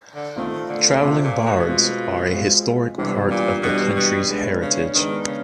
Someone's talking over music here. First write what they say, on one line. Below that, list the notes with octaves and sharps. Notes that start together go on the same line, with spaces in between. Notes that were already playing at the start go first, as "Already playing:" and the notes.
Travelling bards are a historic part of the country's heritage.
D3
D#3 A3 C4 F4
D3
C3 A3 C4 F4
A#2
B2
G#3 C4 F4
G#3 C4 F4
C3 E3 G3 B3 D4 G4
A#2
B2 E3 G3 B3 D4 G4
B2
G#3 B3 D4
C#3
D#3 G#3 B3 D4
C#3